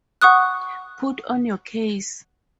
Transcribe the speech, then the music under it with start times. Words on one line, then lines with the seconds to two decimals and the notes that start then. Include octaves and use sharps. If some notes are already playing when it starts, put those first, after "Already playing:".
Put on your case.
0.22 F#5 C#6 D#6 F#6